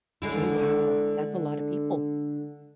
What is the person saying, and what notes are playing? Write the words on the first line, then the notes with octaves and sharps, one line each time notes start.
Oh, wow, that's a lotta people.
D3 G#3 E4